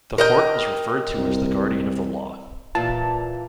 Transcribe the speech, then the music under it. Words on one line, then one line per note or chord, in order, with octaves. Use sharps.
The Court is referred to as the guardian of the law.
A#4 D#5 G5
C2
A#2 E3 F4 A5